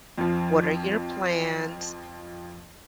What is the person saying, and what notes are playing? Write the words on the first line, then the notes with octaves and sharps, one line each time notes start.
What are your plans?
F2 F3